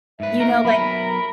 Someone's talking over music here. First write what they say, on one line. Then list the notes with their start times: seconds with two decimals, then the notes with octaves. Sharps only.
You know, like
0.20 G#2 B4 E5
0.40 A3 A#3 D#4 A#4
0.65 F#3 B3 G#5 B5